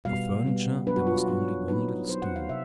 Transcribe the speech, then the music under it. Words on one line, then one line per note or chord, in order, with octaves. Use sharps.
For furniture there was only one little stool.
B2 G3 B3 F5
B2 G3 B3
F#3 B3 D4 B4
F#4
F4
F#4
F#3 B3 D4 F#4
F#3 B3 D#4 B4
F#3 B3 D#4 C5
F#5
F5
C3 E5